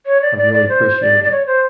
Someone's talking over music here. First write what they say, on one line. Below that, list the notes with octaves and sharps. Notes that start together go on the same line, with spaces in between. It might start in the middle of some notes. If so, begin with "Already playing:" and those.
I really appreciate it.
C#5
D5
D5
D5
C5
D5
D5
C#5
C5